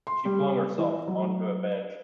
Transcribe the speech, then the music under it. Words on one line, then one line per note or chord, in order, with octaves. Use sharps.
She flung herself on to a bench.
C6
G3
E3
F#3